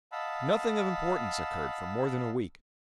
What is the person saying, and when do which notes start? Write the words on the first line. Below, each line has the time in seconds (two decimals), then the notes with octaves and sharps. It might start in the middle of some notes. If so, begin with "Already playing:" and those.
Nothing of importance occurred for more than a week.
0.12 D#5 F5 F#5 A5 B5 E6